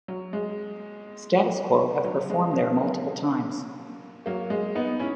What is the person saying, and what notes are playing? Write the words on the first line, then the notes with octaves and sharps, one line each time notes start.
Status Quo have performed there multiple times.
F#3
G#3
F#3
G#3
F#3 A#3
F#3 A#3
G#3
B3 D#4
C#4 E4